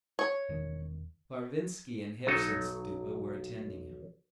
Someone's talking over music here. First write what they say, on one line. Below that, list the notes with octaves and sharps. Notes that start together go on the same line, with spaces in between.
Varvinsky and Herzenstube were attending him.
C#5
E1 D#3
B1 F#3 D#4 A4